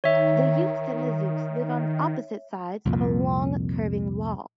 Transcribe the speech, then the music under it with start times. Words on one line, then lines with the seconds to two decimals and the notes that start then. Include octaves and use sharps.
The Yooks and the Zooks live on opposite sides of a long curving wall.
0.04 D#3 C#5 E5
2.86 C2 F2 A#2